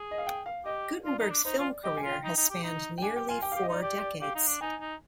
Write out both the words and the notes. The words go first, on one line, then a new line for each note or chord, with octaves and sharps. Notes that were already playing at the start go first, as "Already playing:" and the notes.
Guttenberg's film career has spanned nearly four decades.
Already playing: G#4
D#5
F5
G5
F5
G4 D#5
F4 D5
D#4
D4
D#4 C5
F4
D5
G4 D#5
G#5
F4
G5
D#4
D#4
G4
D#4
G5
D4 G#5
G4 G5
F4 G#5
G4 G5
F5
G4
D#5
D#4 D5
G4 D5
D5
G4 F5
D#4
D4
D#4 G#5
D#4